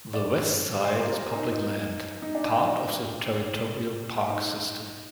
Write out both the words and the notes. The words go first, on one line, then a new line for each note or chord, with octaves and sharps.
The west side is public land, part of the Territorial Park System.
D5
C5
A#4
A#4
D#4
D#4
D#4
D4
D4
D#4